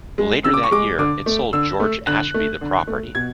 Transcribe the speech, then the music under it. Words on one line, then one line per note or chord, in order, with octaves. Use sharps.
Later that year, it sold George Ashby the property.
G#3
C#3 E6
D6
C#6
G#3 D6
D3 D6
A3
D3 E6
A3
D3 F#6
A3
D3
A3
B2 G#6